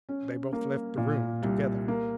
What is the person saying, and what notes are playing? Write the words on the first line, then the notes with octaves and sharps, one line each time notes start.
They both left the room together.
C#4
A#3
A#2
C2
A#3